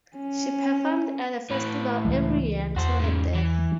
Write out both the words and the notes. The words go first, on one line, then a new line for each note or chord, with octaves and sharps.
She performed at the festival every year until her death.
C#4
A2 B4
C#2 E3 G#3
E2 F#4 C5
G#2 C#3
E3